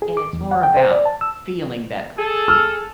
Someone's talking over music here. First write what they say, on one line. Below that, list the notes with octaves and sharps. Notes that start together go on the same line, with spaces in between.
And it's more about feeling better.
G#4
D6
E2
F#5
G5
C5
D5
A5
E6
G#4 A4
E6 F6